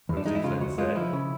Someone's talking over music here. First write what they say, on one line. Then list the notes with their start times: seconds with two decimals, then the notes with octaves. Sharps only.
Nosey Flynn said.
0.09 E2
0.17 D4
0.26 G#3 D#4
0.35 E4
0.44 C#3 F4
0.61 D2 F#4
0.78 G#3 F4
0.95 F3 E4
1.13 C#3